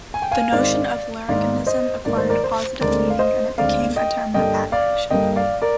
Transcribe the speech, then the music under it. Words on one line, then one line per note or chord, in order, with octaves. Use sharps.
The notion of larrikinism acquired positive meaning and it became a term of admiration.
G#5
G5
F5 G#5
G#2 D#3 G#3 C4 D5 F5
G#2 D#3 A#3 D5 F5
C5 D#5
G#2 D#3 A#3 D5
C5
A#4 D5
C5
D2 D3 G#3 C4 A#4 D5
F5
C5 D#5
D2 D3 G#3 C4 D5 F5
D#5 G5
G2 D3 G3 A#3 D#5 G5
D5 F5
G2 D3 G3 A#3 D#5 G5
D5 F5
A#4 D5